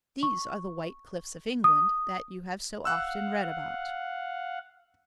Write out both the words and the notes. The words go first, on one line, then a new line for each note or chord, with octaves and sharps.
These are the white cliffs of England that you have so often read about.
C#6
D#6
F5 F#5 E6 F#6